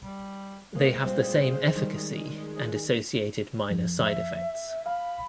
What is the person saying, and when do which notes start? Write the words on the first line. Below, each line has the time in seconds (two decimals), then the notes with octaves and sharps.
They have the same efficacy and associated minor side-effects.
0.02 G3
0.75 G#3 A#3 C5
1.02 A#2 G3 C4
1.74 D#3 G3
3.70 F2
4.03 E5
4.86 F5 B5